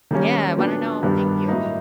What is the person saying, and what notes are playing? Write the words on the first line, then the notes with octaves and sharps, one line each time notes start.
Yeah, I wanna know. Thank you.
D#3 G3 A#3 C#4
A#2 F#3 B3 D4
G2 D#3 G3 B3 D4
A2 F#3 A#3 D#4